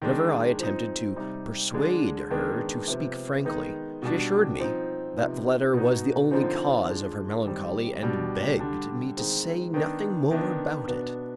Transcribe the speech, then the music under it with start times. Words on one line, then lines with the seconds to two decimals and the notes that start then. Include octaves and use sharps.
Whenever I attempted to persuade her to speak frankly, she assured me that the letter was the only cause of her melancholy and begged me to say nothing more about it.
0.02 D#3 G#3 D4
0.59 F3 C4 D#4
1.16 C3 G3 C4 D#4
1.73 D3 G#3 D4
2.30 D#3 G#3 B3 D4
2.88 C3 F3 B3
3.44 D#3 G#3 B3 D#4
4.02 B2 G3 D4
4.60 F3 C4 D#4
5.16 C3 F3 B3 D#4
5.74 B2 B3 D#4
6.31 D3 F3 C4 D#4
6.88 F3 G#3 D4
7.45 D#3 G3 C4
8.03 B2 G3 D4
8.59 D3 G3 D4
9.17 D#3 G#3 C4 D#4
9.74 D#3 B3 D4
10.31 D#3 B3 D4
10.88 B2 B3 D4